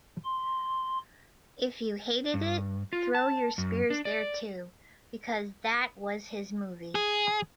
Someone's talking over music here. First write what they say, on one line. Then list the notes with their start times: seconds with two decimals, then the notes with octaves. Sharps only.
If you hated it, throw your spears there too, because that was his movie.
0.25 C6
2.34 G2
2.93 F4
3.15 A5
3.58 F#2
3.90 D4
4.05 D5
6.95 G#4